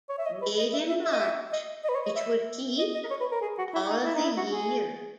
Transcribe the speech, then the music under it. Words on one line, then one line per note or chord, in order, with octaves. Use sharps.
Made in March, it would "keepe all the yeere".
C#5
E5
D#5
B4
D#5
E5
E5
E5
D#5
E5
D#5
D#5
B4
C#5
D#5
E5
D#5
D#5
C#5
B4
A#4
G#4
F#4
E4
D#4
E4
D#4
E4
F#4
G#4